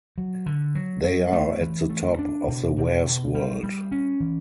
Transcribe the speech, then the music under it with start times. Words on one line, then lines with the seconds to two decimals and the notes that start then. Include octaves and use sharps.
They are at the top of the warez world.
0.18 F#3
0.46 D3
0.75 F#3
1.04 F#3
1.33 A3
1.61 E3
1.90 A3
2.19 D4
2.48 B2
2.77 B2
3.06 B2
3.34 G3
3.63 G3
3.92 C#4
4.20 E3